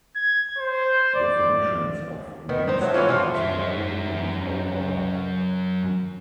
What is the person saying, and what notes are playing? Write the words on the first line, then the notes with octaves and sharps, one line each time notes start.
Definitions of these terms vary and overlap.
G#6
C5
D5
D#3 B3
C4 D#4
F#3 A3 F4
E3 A3 C#4 F4
F3 F4 F#4
F#2 E5